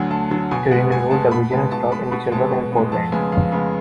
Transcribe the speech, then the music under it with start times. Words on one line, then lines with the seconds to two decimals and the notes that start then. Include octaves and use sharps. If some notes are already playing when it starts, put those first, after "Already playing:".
During the tour, the Division stopped in Cherbourg and Portland.
Already playing: D2 D3 F#3 F#5 G#5
0.10 D2 A5
0.30 D3 F#3 A5
0.51 B2 G#5
0.71 G#3 B3 F#5
0.91 B2 G#5
1.11 G#3 B3 A5
1.31 B2 B5
1.51 G#3 B3 A5
1.72 B2 A5
1.92 G#3 B3 B5
2.11 B2 B5
2.32 G#3 B3 A5
2.52 B2
2.72 G#3 B3
2.92 F2 A5
3.12 C#3 G#3 B3 G#5
3.32 F2 F5
3.52 C#3 G#3 B3